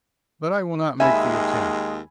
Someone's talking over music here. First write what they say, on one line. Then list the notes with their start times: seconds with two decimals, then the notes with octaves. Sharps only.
But I will not make the attempt.
1.00 D#2 G#3 E5 G#5 B5